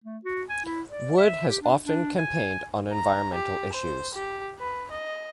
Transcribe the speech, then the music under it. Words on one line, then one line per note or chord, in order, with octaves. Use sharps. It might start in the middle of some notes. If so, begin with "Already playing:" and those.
Wood has often campaigned on environmental issues.
A3
F#4
G#5
E4
D5
E5
G4
D4
D4
G#5
A#5
G4
C5
G4
B4
D#5